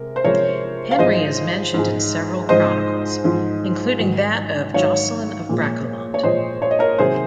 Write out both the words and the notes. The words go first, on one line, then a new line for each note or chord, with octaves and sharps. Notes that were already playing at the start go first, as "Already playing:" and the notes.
Henry is mentioned in several chronicles, including that of Jocelin of Brakelond.
Already playing: C3 G#3 A#4
C5
C3 F3 G#3 A#4 C#5
F5
G#2 F3 G#3 C5 D#5
G#2 F3 G#3
G#2 F3 G#3 C5 D#5
G#2 F3 G#3
G#2 D#3 F#3
G#2 D#3 F#3 C#5 F5
A#2 F3 G#3
C#5
A#2 F3 G#3 C5 D#5
C#5
D#5
A#4 C#5
C3 D#3 F#3 G#4 C5